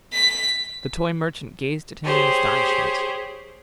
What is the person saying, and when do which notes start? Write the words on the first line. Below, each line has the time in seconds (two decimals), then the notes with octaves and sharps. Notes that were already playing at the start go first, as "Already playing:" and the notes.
The toy merchant gazed at him in astonishment.
0.13 B6
2.04 G4 G#4 C5 C#5